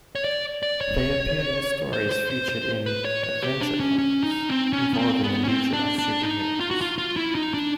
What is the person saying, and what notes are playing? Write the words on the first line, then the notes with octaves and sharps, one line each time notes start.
They appear in stories featured in "Adventure Comics" involving the Legion of Super-Heroes.
C#5
D5
D5
C#5
C5
C5
C5
C5
B4
C#5
C#5
G4
D4
C#4
C#4
D#4
C4
C#4
B3
C4
B3
C#4
C4
D4
D4
D#4
F4
F#4
F4
F4
E4
D#4
D4